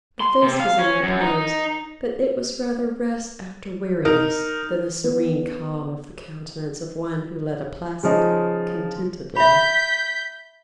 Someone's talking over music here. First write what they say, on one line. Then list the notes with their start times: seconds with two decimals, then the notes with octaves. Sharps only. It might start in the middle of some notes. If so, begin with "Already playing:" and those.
The face was in repose; but it was rather rest after weariness, than the serene calm of the countenance of one who led a placid, contented life.
0.20 C6
0.43 C3
0.60 F5
0.79 C#4
1.03 F#2
1.21 D#4
4.05 D#4 A#4
5.04 B3
8.03 C#3 F3 D#4
9.36 E5 B5 G6 B6